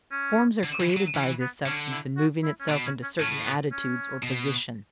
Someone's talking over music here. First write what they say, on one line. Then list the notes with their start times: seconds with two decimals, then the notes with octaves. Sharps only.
Forms are created by this substance in moving itself into certain attitudes or positions.
0.11 C#4
0.63 D3
0.80 E3
0.97 F#3
1.15 E3 C#4
1.40 B3
1.66 D3 C#4
1.91 E4
2.17 F#4
2.43 E4
2.60 C#4
2.68 B2 D4
2.86 C#4
3.02 C#4
3.20 A2 C#4
3.45 B3
3.72 C#4
4.23 B2